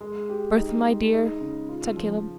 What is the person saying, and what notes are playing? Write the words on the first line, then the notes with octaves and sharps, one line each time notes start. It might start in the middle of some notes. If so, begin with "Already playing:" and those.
"Bertha, my dear!" said Caleb.
G#3
G4
D#4
G#3
D#4
C#3
F4
F3